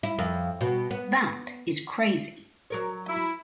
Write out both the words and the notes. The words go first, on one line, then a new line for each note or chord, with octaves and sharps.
That is crazy.
E4
F2
B2
B3
F#3 A#4 C#5
E4